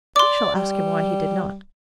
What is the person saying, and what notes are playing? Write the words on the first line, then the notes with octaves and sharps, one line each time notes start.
I shall ask him why he did not.
D5 C6 D6
G3